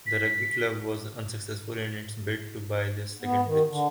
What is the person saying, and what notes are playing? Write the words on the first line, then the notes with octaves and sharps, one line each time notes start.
The rugby club was unsuccessful in its bid to buy this second pitch.
B6
B3
D#3
D3